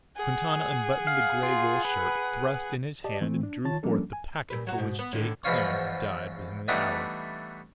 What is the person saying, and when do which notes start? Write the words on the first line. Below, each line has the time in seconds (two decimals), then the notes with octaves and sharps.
Quintana unbuttoned the grey wool shirt, thrust in his hand and drew forth the packet for which Jake Kloon had died within the hour.
0.17 G#4 F#5
1.07 F5
1.43 F4
1.85 B4
3.04 G4 D5 D#5 A5
3.21 E3 A3 C4
3.43 D4
3.65 D#3 F4 C#5 A5 A6
3.83 F3 G3 A#3 C#4 D4 A4
4.13 G#5
4.50 A#2 G3 B4
4.67 F#3 F#4
4.78 G#2 B2
4.99 B3
5.13 A2 D3 D#3
5.44 E2 G#2 B2 F3 F4 C#5
6.68 E3 G3 A3 B3 D4 D#4